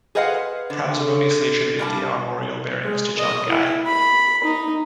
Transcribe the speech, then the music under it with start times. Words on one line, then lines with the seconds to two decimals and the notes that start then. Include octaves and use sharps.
Prowse erroneously attributed the armorial bearings to John Guy.
0.15 G#4 B4 C5 D#5 F5 F#5
0.70 D3
1.79 G2 G3 A5
2.84 G#3
3.19 D#5
3.49 E4
3.86 B5
4.44 D#4